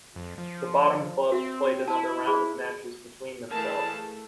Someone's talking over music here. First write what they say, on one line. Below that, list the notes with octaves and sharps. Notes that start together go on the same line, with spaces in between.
The bottom clubs played another round of matches between themselves.
F2
F3
C4 F#4 E5
E4 A5
G#4 C5 B5
E3 A3 G#4 A#4 F5 A5
A3